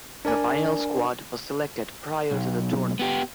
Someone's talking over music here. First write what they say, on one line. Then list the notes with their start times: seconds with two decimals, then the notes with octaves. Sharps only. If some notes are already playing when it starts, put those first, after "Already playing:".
The final squad was selected prior to the tournament.
0.25 D4 A#4 D5 G#5
2.31 B1
2.99 B3 G4